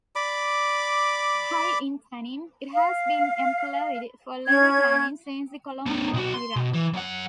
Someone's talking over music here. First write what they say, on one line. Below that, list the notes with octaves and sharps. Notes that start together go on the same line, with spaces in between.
High in tannin, it has been employed for leather tanning since the colonial era.
D5 B5 D6
F5
C#4 G#6
B3 C#4
B1 F#4
C6
B2
E3
F#2 F#5